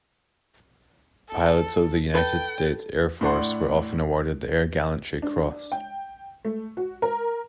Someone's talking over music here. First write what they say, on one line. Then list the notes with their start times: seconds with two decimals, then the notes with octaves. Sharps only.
Pilots of the United States Air Force were often awarded the Air Gallantry Cross.
1.29 A4
2.15 A4 B4 G5
3.21 A2 D4 F#5 C6
5.22 D4
5.72 G5
6.45 A3
6.77 F#4
7.02 A#4